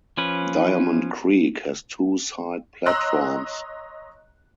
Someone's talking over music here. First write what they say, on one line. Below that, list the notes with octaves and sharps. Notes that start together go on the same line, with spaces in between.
Diamond Creek has two side platforms.
F3 C#4 B4
C#5 D#5 A#5 C6 E6 F#6